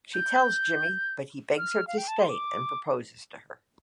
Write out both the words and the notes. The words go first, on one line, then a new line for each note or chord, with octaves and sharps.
She tells Jimmy but he begs her to stay and proposes to her.
G6
F6
F5
G5
A5
C6
D6